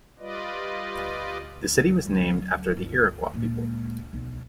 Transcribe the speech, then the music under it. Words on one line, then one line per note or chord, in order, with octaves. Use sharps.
The city was named after the Iroquois people.
G3 F4 B4 D5 D#5
F#3 C#4
G1 F4
A#2 G#3
B1